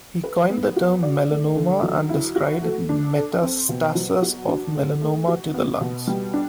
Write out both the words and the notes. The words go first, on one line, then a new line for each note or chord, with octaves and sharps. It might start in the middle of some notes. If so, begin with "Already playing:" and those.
He coined the term melanoma and described metastases of melanoma to the lungs.
B4
B3
F#4
D5
A3
D3
F#3
E4
F#4
A3
D4
A4
C4
B2
F#3
F#4
D4
D3
A3
F#4
B3
B2
G3
D4